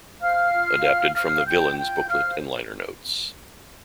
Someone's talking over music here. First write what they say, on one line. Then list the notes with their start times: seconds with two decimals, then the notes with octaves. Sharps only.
Adapted from the "Villains" booklet and liner notes.
0.20 C5 F5 F6
0.52 F4
0.83 F4
1.15 C5 F5 F6
1.46 F4 G5 G6
1.77 F4 G5 G6
2.09 C5 F5 F6